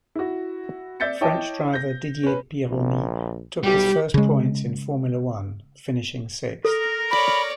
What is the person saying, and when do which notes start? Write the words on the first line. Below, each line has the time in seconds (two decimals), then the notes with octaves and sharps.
French driver Didier Pironi took his first points in Formula One, finishing sixth.
0.15 E4 F#4
1.00 D5 E5 G6 A6 B6 C#7
1.21 E4 C#5 D#5 G5 A5 D6
1.73 G6 A#6
2.23 C#4 B4
2.69 A#1
3.63 B1 G3 G4
4.14 C#3 G#3
6.65 A4 A#4
7.11 C#5 D5 B5